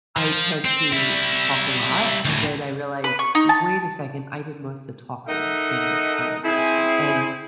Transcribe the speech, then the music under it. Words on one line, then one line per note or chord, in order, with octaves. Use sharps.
I tend to talk a lot, and then I realize, "Wait a second, I did most of the talking in this conversation," and
F3
C4
G3 E4
D2 A2
B4
C#6
D#4
A5
D#4 A4 A#4 D#5 E5 F#5
C4 E4 G#4